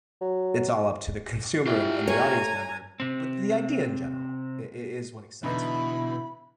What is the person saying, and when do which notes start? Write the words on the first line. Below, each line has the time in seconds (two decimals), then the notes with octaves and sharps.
it's all up to the consumer and and the audience member, but the idea in general i i is what excites me.
0.21 F#3
1.67 E4 F4 G4
2.08 A3 C#5 G#5 A#5
3.00 C3 C4
5.43 B2 D3 E3 D#4 E4 B5